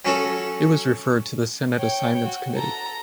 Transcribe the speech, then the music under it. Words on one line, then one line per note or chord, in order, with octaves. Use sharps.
It was referred to the Senate Assignments Committee.
F#3 C#4 F#4 A4
C#5 G5
F#4
A4 A#5